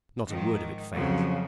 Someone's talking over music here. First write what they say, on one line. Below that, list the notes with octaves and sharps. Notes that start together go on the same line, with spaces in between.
Not a word of it failed.
G#2 D#3 F3
F2 C#3 F3 F#3